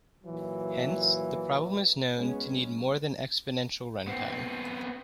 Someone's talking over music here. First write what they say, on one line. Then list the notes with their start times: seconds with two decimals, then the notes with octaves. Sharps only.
Hence, the problem is known to need more than exponential run time.
0.24 A#2 E3 F#3
2.17 F#3 G#3 B3 C#4
4.07 B3 C4